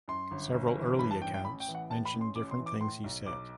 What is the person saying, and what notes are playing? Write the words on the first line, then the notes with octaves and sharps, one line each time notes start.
Several early accounts mention different things he said.
F#2 C6
G1
G1
E3
G2 B5
A5
A1 G5
G5
A1 B5
G5
E3
F#5
A2 A5
B5
A1
C6
A1 D6
C6
E3
D6
A2 C6
B1
B1 D6